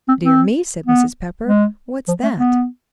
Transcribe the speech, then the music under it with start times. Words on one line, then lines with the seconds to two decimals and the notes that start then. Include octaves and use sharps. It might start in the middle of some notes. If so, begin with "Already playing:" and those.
"Dear me!" said Mrs. Pepper, "what's that?"
0.09 C4
0.24 C4
0.86 B3
1.47 G#3
2.08 F3
2.23 A3
2.38 B3